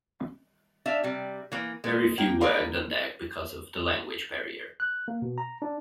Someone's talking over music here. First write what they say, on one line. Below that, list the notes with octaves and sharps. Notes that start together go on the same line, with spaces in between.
Very few worked on deck because of the language barrier.
D4 E5 F5
C3 G3
E3 A#3
G#3
A#3 G5
G#4 A#4 B4 D5 F5
F#6
A#3
B2
A#5
D4